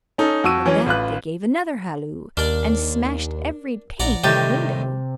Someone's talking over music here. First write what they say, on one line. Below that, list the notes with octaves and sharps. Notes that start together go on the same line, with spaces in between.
With that they gave another halloo, and smashed every pane in the window.
C#4 D#4 A4
F2 F#4 C#6 E6 D#7
E3 F#3 C#4
A1 F4 B4 F#6
D#2 D4 A#4 D5 F6
A#1 D5 F#5 A#5
A2 C3 D#3 G3 D6 G6 A6